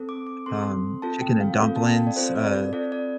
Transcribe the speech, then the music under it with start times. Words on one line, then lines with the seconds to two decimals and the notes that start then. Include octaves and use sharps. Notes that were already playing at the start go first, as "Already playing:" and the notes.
um, chicken and dumplings. Uh,
Already playing: C4 A4
0.09 D6
0.27 D6
0.46 C4 A4 C6
1.02 C4 F4 A4 A5
1.21 G5
1.40 F5
1.60 C4 F4 A4
1.76 A5
1.87 G5
1.96 F5
2.07 D5
2.16 C4 F4 A4 C5
2.35 D5
2.55 D5
2.73 C4 F4 A4 D5
2.92 D5